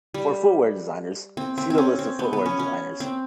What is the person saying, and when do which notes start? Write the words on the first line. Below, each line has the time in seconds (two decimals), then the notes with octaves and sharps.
For footwear designers, see the list of footwear designers.
0.14 G3
1.37 C4
1.58 C4
1.70 C4
1.78 C#4
1.99 C4
2.19 B3
2.33 B3
2.46 C#4
2.59 C#4
3.00 C4